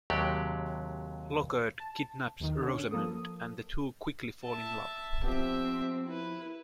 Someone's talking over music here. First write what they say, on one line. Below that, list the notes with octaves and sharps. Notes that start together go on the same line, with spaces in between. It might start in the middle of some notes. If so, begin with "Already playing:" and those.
Lockhart kidnaps Rosamund, and the two quickly fall in love.
D#2 C3 F#3 G#3 G4 D5
A5
D#2 D#3
D3 C#4
F3 A#3 A4 D#6
E5 A5
F3 B3 C4 G4 E5
E4 B4